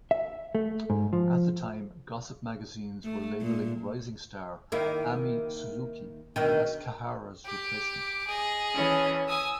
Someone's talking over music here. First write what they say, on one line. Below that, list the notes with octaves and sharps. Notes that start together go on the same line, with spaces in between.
At that time, gossip magazines were labeling rising-star, Ami Suzuki, as Kahara's replacement.
E5
A3
G#2
F3
A3
A#2
D#3 A#3 E4
D2 B2 D#3
G4 D6
G#4 D#5
E3 C#4 A4
G#5 D#6 E6